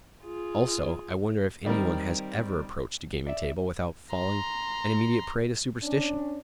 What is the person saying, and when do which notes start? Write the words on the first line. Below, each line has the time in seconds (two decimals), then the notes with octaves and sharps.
Also, I wonder if any one has EVER approached a gaming-table without falling an immediate prey to superstition?
0.23 F4 G#4
1.65 D#3 G3 C4 A#4
3.26 D5 E5
4.13 A#5 C6
5.82 C#4 D4